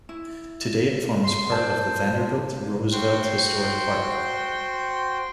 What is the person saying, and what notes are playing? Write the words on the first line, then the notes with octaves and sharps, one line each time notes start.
Today it forms part of the Vanderbilt-Roosevelt Historic Park.
E4
C6
C5 D5 A5
F#4 C5 G5 C6